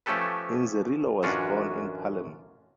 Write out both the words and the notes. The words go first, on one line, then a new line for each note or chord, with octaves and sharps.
Inzerillo was born in Palermo.
F3 A3 C#4 G4 A4 B4
A1 F#2 C#4 D4 F4 F#4